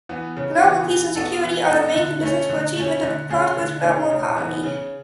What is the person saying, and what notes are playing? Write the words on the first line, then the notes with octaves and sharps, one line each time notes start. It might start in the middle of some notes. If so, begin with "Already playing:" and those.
Global peace and security are the main conditions for achievement of the prosperous global economy.
E3 B3
C#3
E3 B3
E3
B3 F#4 A4
E3
B3 F#4 A4
D3
A3 C#4
D3
A3 C#4
D3
A3 C#4 G#4
D3
A3 C#4 G#4
C#3
E3 B3
C#3